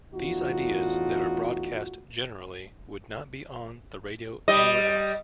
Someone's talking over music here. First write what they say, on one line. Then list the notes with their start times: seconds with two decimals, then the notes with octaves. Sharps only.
These ideas that are broadcast generally would not be on the radio anywhere else.
0.14 E2 A2 D#4 F4 F#4
4.48 G3 D#5